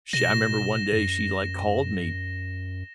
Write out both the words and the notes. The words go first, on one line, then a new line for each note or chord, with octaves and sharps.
sh I remember one day she like called me
B2 A#6 E7 G7
F#2